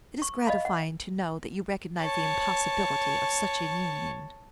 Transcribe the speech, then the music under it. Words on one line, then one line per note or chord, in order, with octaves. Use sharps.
"It is gratifying to know that you recognise the impossibility of such an union."
C#6
D#5 F5 B5
F#5
C#5 A5